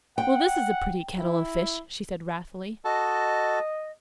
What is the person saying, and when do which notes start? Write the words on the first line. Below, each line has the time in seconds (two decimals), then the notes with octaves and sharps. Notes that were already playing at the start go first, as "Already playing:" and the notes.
"Well, this is a pretty kettle of fish," she said wrathfully.
0.18 F#5 G5
1.18 E4
2.85 F#4 A4 D#5 A5